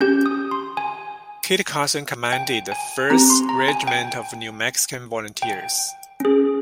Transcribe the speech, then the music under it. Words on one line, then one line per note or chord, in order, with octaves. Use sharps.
Kit Carson commanded the First Regiment of New Mexican volunteers.
C#4 G4 G6
D#6
C6
G#5
G5
G#5
C4 G4 A#5
C6
A#5
G#5
G5
G5
C#4 G#4